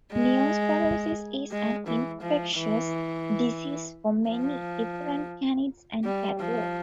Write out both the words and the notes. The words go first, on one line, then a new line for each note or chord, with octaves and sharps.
Neosporosis is an infectious disease for many different canids and cattle.
G#3
G#3
E3
F3
E3
F3
G3
F3